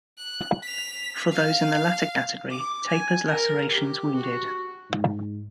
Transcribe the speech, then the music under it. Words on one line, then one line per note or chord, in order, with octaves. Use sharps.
For those in the latter category, "Taper's lacerations wounded".
F#6
B6 F7
F5
D6
G#5
A#4
G4
F#4
G#2